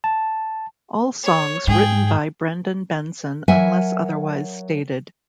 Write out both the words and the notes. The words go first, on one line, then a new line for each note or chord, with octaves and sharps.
All songs written by Brendan Benson unless otherwise stated.
A5
C#5
G#2 G#4 G5
F#3 A#4 E5 F#5 G#5